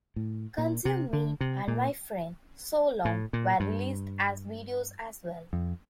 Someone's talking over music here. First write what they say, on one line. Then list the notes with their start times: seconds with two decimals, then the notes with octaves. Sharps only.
"Consume Me" and "My Friend, So Long" were released as videos as well.
0.16 A2
0.58 A#2
0.85 C3
1.13 D3
1.41 C3
1.68 A#2
3.05 A2
3.33 A#2
3.60 G2
5.53 F2